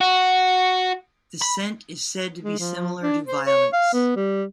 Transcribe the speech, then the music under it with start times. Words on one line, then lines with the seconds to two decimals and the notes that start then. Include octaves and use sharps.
The scent is said to be similar to violets.
0.01 F#4
1.42 B5
2.43 G#3
2.59 F3
3.02 D4
3.27 C5
3.46 C#5
3.73 F5
3.93 B3
4.16 G3